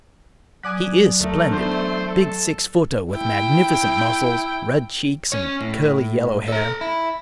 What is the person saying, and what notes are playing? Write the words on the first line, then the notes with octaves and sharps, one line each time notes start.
He is splendid: big six-footer with magnificent muscles, red cheeks, and curly yellow hair.
F#3 D5 G#5 D6 D#6 F#6
D2 A3 A#4
E3 B3 D4 C5
A4
E4 G5
C#4 C#5
A2
A4 A#5
E4